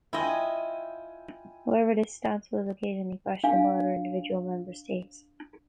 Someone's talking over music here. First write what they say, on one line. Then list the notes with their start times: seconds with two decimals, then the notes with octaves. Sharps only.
However, this stance was occasionally questioned by other individual member states.
0.13 E4 F4 D#5 G5 G#5
3.44 D4 F5 G#5